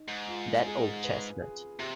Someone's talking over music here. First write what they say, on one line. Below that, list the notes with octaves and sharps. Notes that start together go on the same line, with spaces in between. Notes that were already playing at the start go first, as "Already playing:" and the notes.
That old chestnut.
Already playing: D#4
G#2
F4
G#4
B4
G#4
C3 G4